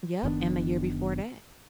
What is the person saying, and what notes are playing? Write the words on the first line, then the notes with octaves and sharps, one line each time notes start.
Yep, and the year before that.
F#1 D#3 B3 D4